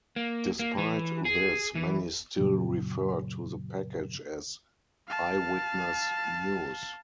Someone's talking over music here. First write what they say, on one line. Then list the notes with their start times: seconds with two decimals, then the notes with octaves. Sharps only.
Despite this, many still refer to the package as "Eyewitness News".
0.16 A#3
0.59 A#3
0.78 E3
1.25 G#4
1.75 E3
2.38 F#2 A#2 C#3 F#3
5.09 F5 A5